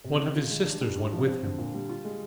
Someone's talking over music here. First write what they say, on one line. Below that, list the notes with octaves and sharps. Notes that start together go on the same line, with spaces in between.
One of his sisters went with him.
C3
D#3
F4
G#3
D4
G3
D4
F3
C4
D3
A#2
G3
F4
G#3